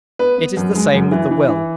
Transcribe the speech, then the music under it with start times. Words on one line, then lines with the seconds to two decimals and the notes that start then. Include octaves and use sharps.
It is the same with the will.
0.19 B3 B4
0.38 B3
0.57 F#2
0.75 G#3
0.94 F#2
1.11 E3
1.31 E3
1.48 E3